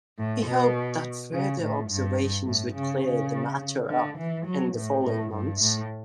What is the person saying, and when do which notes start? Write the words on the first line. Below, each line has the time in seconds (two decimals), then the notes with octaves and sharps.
He hoped that further observations would clear the matter up in the following months.
0.18 A2
0.46 B2
1.33 C#3
1.61 A2
1.89 G2
2.46 A2
2.74 C#3
3.03 C#3
3.89 D3
4.18 E3
4.46 F#3
4.75 A2
5.03 A2
5.32 G2
5.60 A2